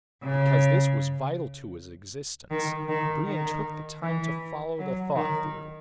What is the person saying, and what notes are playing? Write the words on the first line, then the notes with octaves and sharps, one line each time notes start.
Because this was vital to his existence, Brion took the time to follow the thought through.
C#3
D#3
D#3
D#3
E3
F#3
D#3